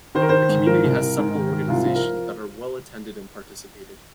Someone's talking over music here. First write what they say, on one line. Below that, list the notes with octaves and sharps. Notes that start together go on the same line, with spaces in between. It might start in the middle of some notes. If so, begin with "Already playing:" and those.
The community has several organisations that are well attended and participated.
D#3 C5
A#4
D#3 C5
G#2
F3 A#4
C2
C2
G#2
D#3
G#2
C2 F4
F3
A#4